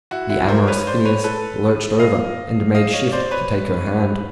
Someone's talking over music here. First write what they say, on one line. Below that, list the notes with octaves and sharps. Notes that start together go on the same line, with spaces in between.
The amorous Phineas lurched over, and made shift to take her hand.
E4 F#4
E4 F#4
A#4 C5
B4 C#5
C5 D5
B4 C#5
A4 B4
D#5 F5
D#5 F5
C#5 D#5
C#5
C5 D5
B4 C#5